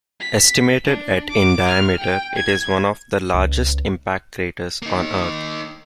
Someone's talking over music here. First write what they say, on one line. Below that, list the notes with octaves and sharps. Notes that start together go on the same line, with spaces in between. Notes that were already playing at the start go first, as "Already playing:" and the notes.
Estimated at in diameter, it is one of the largest impact craters on Earth.
B6
D4
D6
F6
G5
G#6
C#2
A#3 D#4